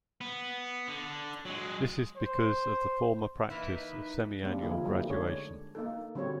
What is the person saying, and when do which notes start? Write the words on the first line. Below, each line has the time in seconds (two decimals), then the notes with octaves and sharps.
This is because of the former practice of semiannual graduation.
0.21 B3
0.88 D3
1.45 F#3 G#3
2.17 C5
3.50 E3 A#3 D#4 E4 B4 B5
4.43 G3 A#3 C4 D4
4.62 D3 F3 A#3 D#4 E4 G#4
4.84 F#3 G3 A3 A#3 D#4 E4
5.10 D3 G#3 D4 G#4 C#5
5.75 A#3 D#4 A4
6.15 D3 G3 C4 F#4 C#5